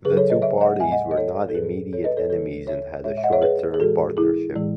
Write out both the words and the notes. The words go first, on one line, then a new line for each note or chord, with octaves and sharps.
The two parties were not immediate enemies and had short-term partnership.
C#3 F#3 G#4 B4
A4 C#5
B4 D#5
C#5 E5
D#5 F#5
A2 G#3 E5 G#5
D#5 F#5
D#5
A4 C#5
A4
A2 F#3 G#4 B4
A4 C#5
B4 D#5
A4 C#5
C#3 E3 G#3 A4 C#5
C#5 E5
A2 G#3 C#5 E5
E5
D#5 F#5
C#5 E5
G#4 B4
G#4
A2 E3 G#3 F#4 A4
E4 G#4
A2 E3 G#3